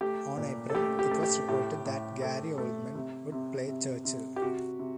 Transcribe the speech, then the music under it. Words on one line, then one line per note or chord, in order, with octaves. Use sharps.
On April, it was reported that Gary Oldman would play Churchill.
A3 G4
A#2
A4
A3 G4
G4
A3
G4
A2 G4
A2
A3
A3
C3
C3
C3
C3
G4
C3 F#4
C3